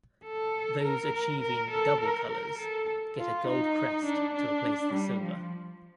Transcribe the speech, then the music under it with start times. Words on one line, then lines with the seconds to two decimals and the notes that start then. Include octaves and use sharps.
Those achieving "double colours" get a gold crest to replace the silver.
0.24 A4
0.83 A#4
1.42 A#4
1.70 A4
2.01 A#4
2.29 A#4
2.58 A4
3.17 F4
3.47 D#4
4.05 D4
4.34 D4
4.93 G3
5.22 F3